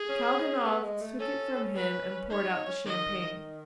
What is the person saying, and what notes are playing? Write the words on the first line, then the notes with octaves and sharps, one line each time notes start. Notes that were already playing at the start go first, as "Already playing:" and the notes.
Kalganov took it from him and poured out the champagne.
Already playing: G#4
C#4
B3
G#3
A3
C#4 A4
B4
D#4 C#5
D#4
C#4
D#3 D#5